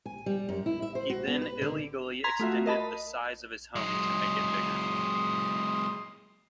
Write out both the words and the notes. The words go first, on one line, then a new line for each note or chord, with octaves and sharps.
He then illegally extended the size of his home to make it bigger.
G#5
G3
F#2
E4
E5
C5
F#4
B3
B4
D3
A#5 C6 G#6 B6 F7
A3 F4 F#4 E5
A#4 D#5 A5 B5
F#3 G#3 C6 D#6